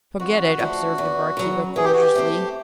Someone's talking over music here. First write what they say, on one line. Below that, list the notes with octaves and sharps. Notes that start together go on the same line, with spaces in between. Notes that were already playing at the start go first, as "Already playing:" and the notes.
"Forget it!" observed the barkeeper cordially.
F2 F#4
C#3 F3 A3 D4
E2
C#3 F#3
E3 G#4
G4
F#4
G4
A3 C4